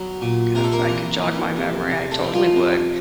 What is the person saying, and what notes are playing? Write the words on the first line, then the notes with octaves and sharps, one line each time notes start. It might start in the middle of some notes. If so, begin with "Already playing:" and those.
god, if I could jog my memory, I totally would.
Already playing: F#3 B3
A#2
C3 A#4
A4
A#3 A#4
E3
E3
C3
C3
A3 A4
D#3
F3 F4
C3